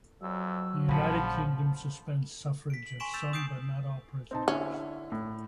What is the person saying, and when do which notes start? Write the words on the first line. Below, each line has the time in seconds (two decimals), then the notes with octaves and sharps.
The United Kingdom suspends suffrage of some but not all prisoners.
0.22 F2 F#3 E6
0.88 A#1 C#3 F3 F#5 A5 B5
2.70 B6 D7
2.87 F#7
3.00 G#5 C6 C#6 B6 D7 E7
3.14 E6 G6 A6 E7 F7
3.33 D#6 G6 C7 D7
4.31 C4 D#4 A5
4.48 D3 C#4 E4
5.12 A2